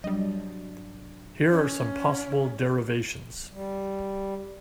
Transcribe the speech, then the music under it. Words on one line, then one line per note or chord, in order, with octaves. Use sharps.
Here are some possible derivations.
F#3 G3 D4 D5 D#5
C#4
G3